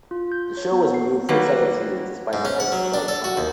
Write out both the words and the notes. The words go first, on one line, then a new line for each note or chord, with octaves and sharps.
The show was renewed for a second series despite the first's dark tone.
F4
G6
C#5
B3
C7
D#3 F#3 G3 A#3 B4
G#2
C#4
F#5
F#3
D4
A4
F#4
D#2